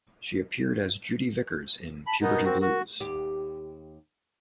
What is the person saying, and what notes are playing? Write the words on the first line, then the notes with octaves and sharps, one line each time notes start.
She appeared as Judy Vickers in "Puberty Blues".
A5 B5
B2 B3 D#4 A#4
C4 F#4
F#4
D#2 G4